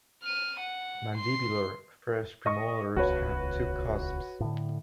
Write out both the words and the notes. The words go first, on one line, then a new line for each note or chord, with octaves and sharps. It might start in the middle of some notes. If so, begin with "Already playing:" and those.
Mandibular first premolars have two cusps.
F6 D#7
F#5
C6 C7
D#5 C#6
D#1 C#2 F#4 B4 C#5
A2 D3